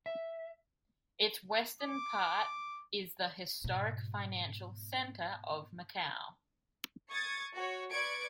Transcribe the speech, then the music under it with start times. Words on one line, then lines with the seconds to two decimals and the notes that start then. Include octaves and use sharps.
Its western part is the historic financial centre of Macau.
0.06 E5
1.82 D6
3.64 G#2 B2
7.10 C#6 D#6 G#6 A6
7.55 F#4 C#5
7.91 B4 D5 C#6 G#6 D7